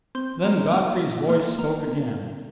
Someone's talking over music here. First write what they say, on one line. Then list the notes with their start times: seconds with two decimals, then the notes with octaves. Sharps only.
Then Godfrey's voice spoke again.
0.15 C4
0.44 A#3
0.72 A#3
1.30 A#3
1.59 A#3